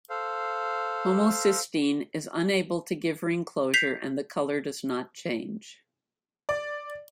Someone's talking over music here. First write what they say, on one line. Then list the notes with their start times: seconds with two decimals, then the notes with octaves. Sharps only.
Homocysteine is unable to give ring closure and the color does not change.
0.10 A4 C5 F5
3.74 G6 B6 C7 F7
6.49 D5